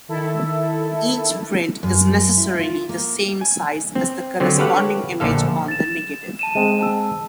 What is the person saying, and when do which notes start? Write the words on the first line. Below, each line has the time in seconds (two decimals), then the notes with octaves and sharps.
Each print is necessarily the same size as the corresponding image on the negative.
0.09 D#3 E4 A4
1.83 F#2
2.37 E4
2.59 F4
2.89 A#3
3.41 G#5
3.95 C4
4.40 D3 F#3 C4
4.58 G4 A4 B4 C#5 F5 F#5
5.20 A#1 D3 A4 F5
5.68 A6 E7
6.39 A5 D#7 E7
6.55 G#3 C4
6.80 A5 E6